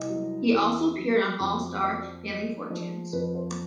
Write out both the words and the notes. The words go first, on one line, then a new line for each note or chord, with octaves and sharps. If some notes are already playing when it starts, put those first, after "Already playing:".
He also appeared on "All Star Family Fortunes".
Already playing: C2 D#5
F#3
E2
F#3
F2
F3 D5
G#3 D#5
F3 D5
F2 B4
C5